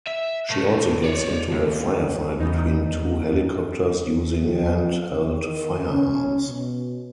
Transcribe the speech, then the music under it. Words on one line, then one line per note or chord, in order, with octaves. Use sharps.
She also gets into a firefight between two helicopters, using handheld firearms.
E5
B1 A3
C#5 D5
D#2
E2 D#4
F2
D#3
C#4
B2